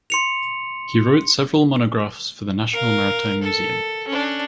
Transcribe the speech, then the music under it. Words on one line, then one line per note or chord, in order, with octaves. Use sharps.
He wrote several monographs for the National Maritime Museum.
C6 C#7 F7
A#4 F5
A4
C#4 D4